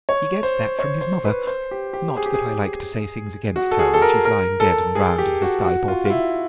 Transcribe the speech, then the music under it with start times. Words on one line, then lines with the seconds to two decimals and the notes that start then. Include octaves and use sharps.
He gets that from his mother—not that I like to say things against her when she’s lying dead and drowned in her stye, poor thing.
0.09 C#5
0.43 C5
0.79 C#5
1.01 C5
1.25 B4
1.47 C5
1.71 G4
1.93 G4
2.17 G#4
2.26 G4
2.34 G#4
3.56 F#4
3.71 A4
3.79 G#4
3.94 A4
4.02 A#4
4.25 A#4
4.60 A4
4.95 G#4
5.18 G4
5.42 F#4
5.65 F#4
5.88 F4
6.05 F4
6.10 E4